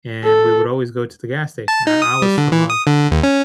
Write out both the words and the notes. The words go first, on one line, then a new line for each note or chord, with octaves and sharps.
And we would always go to the gas station. I I was from a
A4
A5
D#4
D#6
G3
D3
E3
D#6
D3
D#2
C#4